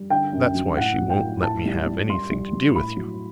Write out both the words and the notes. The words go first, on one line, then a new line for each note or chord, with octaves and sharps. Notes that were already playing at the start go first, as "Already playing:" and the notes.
That's why she won't let me have anything to do with you.
Already playing: G3
D3 G5
F#2
F#3
A2 F#5
F#3
G5
A2
A2 A5
G3
G3
G3 C6
G3
G3
A2 B5
F#3